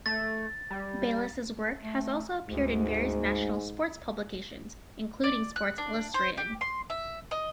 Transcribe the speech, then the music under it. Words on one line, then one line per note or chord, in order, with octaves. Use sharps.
Bayless's work has also appeared in various national sports publications, including "Sports Illustrated".
A3 A6
G3
A3
D2 G#2
D5
F#6
D4
C5
G4
C6
E5
D#5